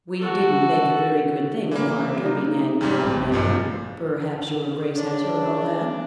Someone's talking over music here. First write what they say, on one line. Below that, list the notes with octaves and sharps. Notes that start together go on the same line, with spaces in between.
"We didn't make a very good thing of our Derby nag the other day. Perhaps your Grace has heard all that?"
F#4 A4
E3 A#3
D#4
F2 G#2 G3
A1
B1 G2 A#2 F3
C#3 D4